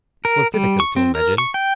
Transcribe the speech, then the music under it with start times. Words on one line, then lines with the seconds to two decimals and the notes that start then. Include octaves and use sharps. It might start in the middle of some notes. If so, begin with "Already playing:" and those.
It was difficult to imagine.
0.25 A#4
0.54 G3
0.80 C#6
0.96 C4
1.15 A#4
1.38 C#6
1.54 G5